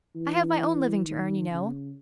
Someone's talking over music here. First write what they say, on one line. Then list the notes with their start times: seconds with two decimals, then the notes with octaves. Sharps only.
I have my own living to earn, you know.
0.16 E3
1.06 D#3
1.50 C#3